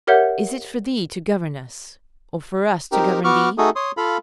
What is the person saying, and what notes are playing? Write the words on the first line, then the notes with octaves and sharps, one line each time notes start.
Is it for thee to govern us, or for us to govern thee?
G4 A#4 C#5 E5 F#5 G6
C4 D#4 G4 A#4
B3 F#4 C#6 D6 F6
A3 D#4 F#4 G#4 A4 D#6
C#5 C6 D#6
F4 A4 F5 B5